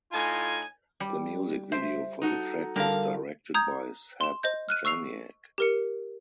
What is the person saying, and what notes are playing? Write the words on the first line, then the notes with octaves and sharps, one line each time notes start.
The music video for the track was directed by Seb Janiak.
A2 D#4 F4 G#5
G3
C5 E5
D#4 F#4 A4
D3 G3 A#4 F5
A#5 D#6 G6 G#6
C6 E7
C5 D#5 G6
F6 F#6 D#7
C#6 E6 C7 F7
G4 A#4 C#7